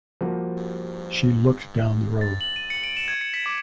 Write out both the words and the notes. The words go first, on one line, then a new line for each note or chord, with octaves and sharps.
She looked down the road.
F3 G3 A#3 F#4 G4
A6
F#7
D#7
C#7
D7
E7
G#6
C#7
B6
D6